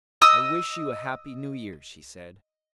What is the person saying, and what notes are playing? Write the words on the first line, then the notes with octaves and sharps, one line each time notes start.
"I wish you a happy New Year," she said.
D#5 D#6 E6